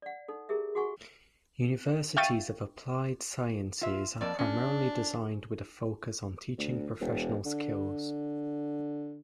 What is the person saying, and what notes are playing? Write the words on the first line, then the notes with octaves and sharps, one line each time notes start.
Universities of Applied Sciences are primarily designed with a focus on teaching professional skills.
D5 F#5
D#4 A4
E4 G4 G#4 A#4 E5
F#4 G#4 F#5 G#5 C#6
E5 F5 G5 C#6 A6 D#7
F4 E5
F2 A#3 D5 A5
C#4 D4
D2
E1
D3